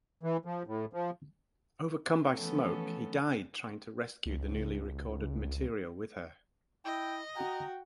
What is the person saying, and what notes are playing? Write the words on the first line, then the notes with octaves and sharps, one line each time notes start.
Overcome by smoke, he died trying to rescue the newly recorded material with her.
E3
F3
A2
F3
E3 F3 A3 B3 C#4 A4
C#2
E4 D#5 G5
F#4 G5 A#5